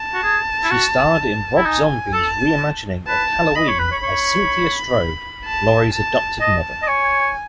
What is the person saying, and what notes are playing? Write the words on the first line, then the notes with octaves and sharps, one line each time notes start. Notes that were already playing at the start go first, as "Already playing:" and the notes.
She starred in Rob Zombie's re-imagining of "Halloween", as Cynthia Strode, Laurie's adoptive mother.
Already playing: A5
F#4
G#4
E4
F#4
E4
D#4 G#5
A4 A5
B4 A5
D#5 B5
C#5
B4
C#5
C#5
A5
A5
D#5 A5
D#5
C#5 G#5